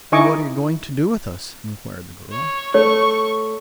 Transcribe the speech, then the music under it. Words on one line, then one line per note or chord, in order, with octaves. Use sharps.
"Then what are you going to do with us?" inquired the girl.
D#4 E4 D#5 G#5 C#6 D6
C#5
A3 C#5 C#6